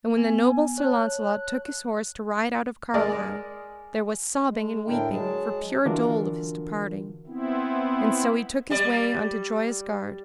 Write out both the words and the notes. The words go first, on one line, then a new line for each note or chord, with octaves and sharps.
And when the noble Sir Launcelot took his horse to ride out of Carlisle, there was sobbing and weeping for pure dole of his departing; and so he took his way unto Joyous Gard.
B3 G#5
C#5 A5 F#6
G#3 A#4 D5 D#5
G#3
A2 D3 D4 E4 A#4 G5
F#3 G#3 G#4 A5
D3 E3 D4 F4 F#4 A#4
B3 C4 E4
G3 D5